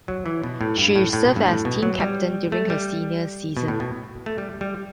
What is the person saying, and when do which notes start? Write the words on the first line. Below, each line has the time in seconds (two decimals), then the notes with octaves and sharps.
She served as team captain during her senior season.
0.08 F#3
0.26 E3
0.43 B2
0.61 A2
0.78 G2
0.96 A2
1.13 A2
1.25 B2
1.36 G2
1.48 A2
1.65 B2
1.83 F#3
2.00 G3
2.52 A3
2.70 G3
3.57 B2
3.68 A2
3.80 B2
4.26 A3
4.38 G3
4.61 G3